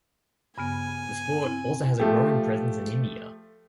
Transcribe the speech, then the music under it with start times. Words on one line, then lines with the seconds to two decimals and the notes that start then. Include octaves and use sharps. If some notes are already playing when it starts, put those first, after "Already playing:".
The sport also has a growing presence in India.
0.58 G2 C#3 B3 G#5
1.44 C4 E4
2.00 F3 A3 G4